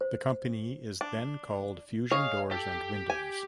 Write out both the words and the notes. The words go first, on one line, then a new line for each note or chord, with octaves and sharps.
The company is then called Fusion doors and windows.
C5
D4
G#4 C#5 D#5 F5
G4 A4
G#5